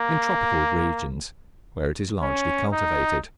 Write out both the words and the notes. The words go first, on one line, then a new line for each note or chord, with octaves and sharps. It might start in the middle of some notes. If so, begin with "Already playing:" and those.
In tropical regions, where it is largely cultivated.
Already playing: A#3
C#4
D#4